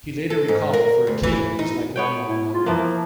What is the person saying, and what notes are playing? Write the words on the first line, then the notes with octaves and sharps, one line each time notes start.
He later recalled, For a kid, it was like one long outing.
A4
G#2
A#4
D2
E3
D#4
B3 C#5 G5
E4
F4
E3 F3 A#3